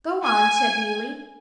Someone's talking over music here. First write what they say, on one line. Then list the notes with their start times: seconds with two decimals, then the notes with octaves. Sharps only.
"Go on," said Neelie.
0.24 G#5